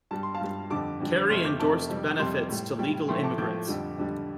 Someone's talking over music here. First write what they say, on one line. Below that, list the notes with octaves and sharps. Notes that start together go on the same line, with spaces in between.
Kerry endorsed benefits to legal immigrants.
G2 G3 A5
C6
F5 A5
G2 G3
F2 D3 G3 A5 D6
F2 D3 G3
F2 C3 A3 C6 F6
D6 G6
F2 C3 A3 A5 D6
F2 C3 G3
F2 C3 G3 G5 C6
A2 G3
A2 G3 G5
G5
A2 F3 A3 G5 C6
A5 D6
A2 F3 A3 D6 G6
F2 D3 G3
F2 D3 G3